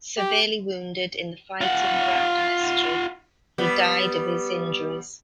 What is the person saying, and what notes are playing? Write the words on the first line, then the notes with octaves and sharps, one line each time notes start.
Severely wounded in the fighting round Mestre, he died of his injuries.
G4
F4 F#5
G3 B3